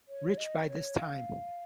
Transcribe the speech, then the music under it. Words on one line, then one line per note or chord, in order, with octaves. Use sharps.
Rich by this time.
C#5
D#5
C#5
F5